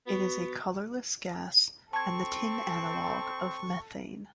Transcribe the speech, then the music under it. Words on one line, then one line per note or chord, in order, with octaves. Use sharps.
It is a colourless gas and the tin analogue of methane.
B3 F#4
C4 A4 A5 C#6 G#6